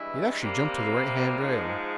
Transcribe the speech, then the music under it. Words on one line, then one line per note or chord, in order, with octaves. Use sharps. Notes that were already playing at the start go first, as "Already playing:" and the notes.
He'd actually jumped to the right-hand rail.
Already playing: G2 E3 G#3 E4
C3 G3 A#3
G#2 F3 G#3